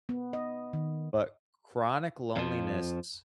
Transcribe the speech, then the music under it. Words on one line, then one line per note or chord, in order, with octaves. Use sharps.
But chronic loneliness
B3
D#5
D#3
F2 F3